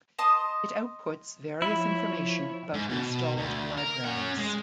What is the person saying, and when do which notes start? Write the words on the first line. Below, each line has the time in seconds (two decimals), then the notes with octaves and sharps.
It outputs various information about installed libraries.
0.18 D#5 A5 C6 D#6
1.62 F3 E4 C#5
2.74 G#2
2.89 B2
3.37 D2
3.78 A#4
4.06 C#4 F#5
4.38 G#3